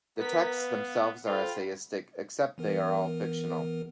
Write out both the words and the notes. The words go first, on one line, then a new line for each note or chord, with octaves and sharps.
The texts themselves are essayistic, except that they are all fictional.
B3 A#4 B4 B6
F5
F4 A4 C5 G5 B5
E3 B3 A#4